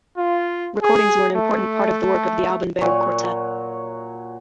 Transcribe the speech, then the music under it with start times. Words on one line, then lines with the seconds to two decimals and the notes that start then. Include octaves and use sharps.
Recordings were an important part of the work of the Alban Berg Quartet.
0.17 F4
0.82 G#4
1.34 A3
2.81 A#2 F#3 C#5